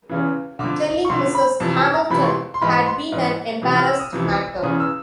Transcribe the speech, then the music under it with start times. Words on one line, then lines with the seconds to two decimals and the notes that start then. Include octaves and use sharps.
Telling Mrs. Hamilton had been an embarrassed matter.
0.09 E2 C#3 E3
0.59 D3 D6
0.64 F2
1.05 C#6
1.09 F2 D3 C6
1.35 B5
1.60 F2 C3 E3 A5
1.77 A5
1.93 A#5
2.10 F2 C3 E3 B5
2.23 C#6
2.27 C6
2.54 C6
2.61 G#2 E3 B5
2.87 C6
3.12 G#2 E3
3.62 F2 C3 E3
3.75 F6
3.87 E6
3.99 D#6
4.13 F2 C3 E3
4.63 E2 C#3 E3 D#6
4.80 E6